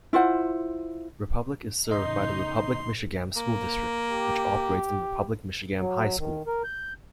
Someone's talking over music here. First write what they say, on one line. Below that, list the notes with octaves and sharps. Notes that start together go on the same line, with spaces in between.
Republic is served by the Republic-Michigamme School District, which operates the Republic-Michigamme High School.
E4 F4 C5 F#5
A1 E2 C#3 D#4 D#5 C6
A#3
G4
F#3
D#3
A#4
G6